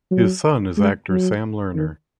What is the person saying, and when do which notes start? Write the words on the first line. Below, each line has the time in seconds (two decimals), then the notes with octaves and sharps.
His son is actor Sam Lerner.
0.11 F#3
0.77 G#3
1.10 F#3
1.75 D#3